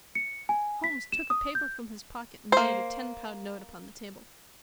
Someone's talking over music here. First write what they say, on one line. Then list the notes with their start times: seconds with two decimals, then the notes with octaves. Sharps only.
Holmes took a paper from his pocket and laid a ten-pound note upon the table.
0.15 C#7
0.49 G#5
0.84 B6
1.12 E7
1.30 D#6
1.55 G6
2.52 A#3 C5